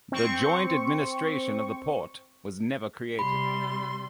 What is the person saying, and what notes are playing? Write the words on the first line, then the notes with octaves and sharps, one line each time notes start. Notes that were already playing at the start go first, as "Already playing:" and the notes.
The joint administration of the port was never created.
C4 C#6
C3 G3 B5 C6